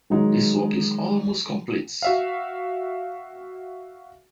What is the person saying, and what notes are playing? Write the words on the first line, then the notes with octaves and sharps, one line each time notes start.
This work is almost complete.
D#3 F#3 G#3 D#4
F#4 E5 F5